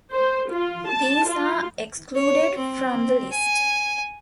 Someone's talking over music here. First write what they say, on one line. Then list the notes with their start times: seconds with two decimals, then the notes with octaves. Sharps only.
These are excluded from the list.
0.12 C5
0.52 F4
0.90 A5
1.29 F4
2.15 C#5
2.58 C4
3.32 G#5